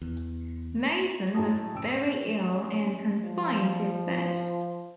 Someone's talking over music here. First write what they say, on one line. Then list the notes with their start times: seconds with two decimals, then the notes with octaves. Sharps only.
Mason was very ill and confined to his bed.
0.02 E2
1.35 A2 F#3 G#4 A5 A#5 D#6
1.74 F#1 G5 D#6 E6 D7
2.26 C#4
3.25 F3